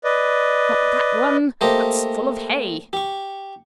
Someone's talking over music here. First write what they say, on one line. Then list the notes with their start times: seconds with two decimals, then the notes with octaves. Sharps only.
Not that one--that's full of hay!'
0.04 B4 D5 D#5
1.61 A3 A#3 G4 C5 D#5
2.93 G4 C#6